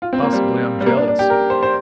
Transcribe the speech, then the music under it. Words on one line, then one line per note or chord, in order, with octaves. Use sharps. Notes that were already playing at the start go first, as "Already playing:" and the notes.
Possibly I am jealous.
F4
C4
A#3
G3
G3
A#3
D4
D4
G4
A#4
C5
C5